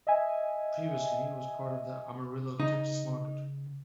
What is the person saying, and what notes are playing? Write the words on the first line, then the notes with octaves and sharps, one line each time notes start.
Previously it was part of the Amarillo, Texas market.
D#5 E5 G#5
C#3 D#4